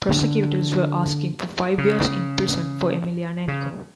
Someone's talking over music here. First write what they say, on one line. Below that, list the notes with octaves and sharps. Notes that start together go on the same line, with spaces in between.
Prosecutors were asking for five years in prison for Emelianenko.
D3
C#3
C#3